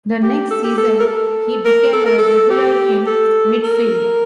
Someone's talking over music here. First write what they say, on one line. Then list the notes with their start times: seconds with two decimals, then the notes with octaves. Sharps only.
The next season, he became a regular in midfield.
0.23 G4
0.51 A4
0.64 G4
0.77 A4
1.00 A#4
1.07 A4
1.65 A#4
1.93 A4
2.06 A#4
2.18 A4
2.50 G4
3.06 A4
3.63 A#4